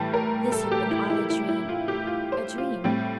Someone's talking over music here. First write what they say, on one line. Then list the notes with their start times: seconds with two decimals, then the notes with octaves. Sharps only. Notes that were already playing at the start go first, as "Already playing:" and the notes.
This had been all a dream--a dream.
Already playing: A2 E3 G3 A5
0.14 A#4
0.52 A4
0.72 G4
0.91 E4
1.10 E4
1.30 E4
1.49 E4
1.69 F4
1.88 G4
2.07 F4
2.32 C5
2.58 F4
2.84 A2 G3 C4